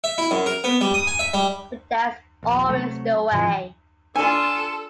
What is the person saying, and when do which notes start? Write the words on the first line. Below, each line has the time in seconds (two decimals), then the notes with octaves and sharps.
But that’s always the way.
0.04 E5
0.18 E4
0.31 F#2
0.46 A#4
0.64 B3
0.81 G3
0.94 D#6
1.07 G#5
1.19 E5
1.34 G3
2.43 D#1 A#1
2.69 C3 F#3 A3
3.32 G#2 C3 E3 F3
4.16 D4 F4 A4 G#5